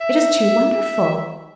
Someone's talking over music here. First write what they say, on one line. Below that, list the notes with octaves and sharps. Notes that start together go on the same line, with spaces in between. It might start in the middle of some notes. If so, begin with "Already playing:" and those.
It is too wonderful.
E5